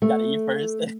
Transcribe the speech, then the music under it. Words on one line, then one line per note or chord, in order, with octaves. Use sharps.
Gotta eat first.
A3